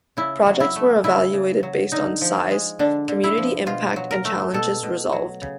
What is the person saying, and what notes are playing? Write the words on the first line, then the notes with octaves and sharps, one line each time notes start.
Projects were evaluated based on size, community impact and challenges resolved.
C#3 E4
F#3
E4
A3
C#3 E4
C#3
F#3
D3 D#4
F3
G#3
D3 D4
D3
E4
F3
B2 F4
F#3
A#4
A3
B2 A4
B2
F#3
C#3